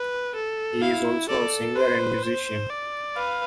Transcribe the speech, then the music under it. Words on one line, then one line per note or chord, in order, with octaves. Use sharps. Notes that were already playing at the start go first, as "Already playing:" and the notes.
He is also a singer and musician.
Already playing: B4
A4
E4 F5
A4 D5
B4 C5
C5
D5
B4 F5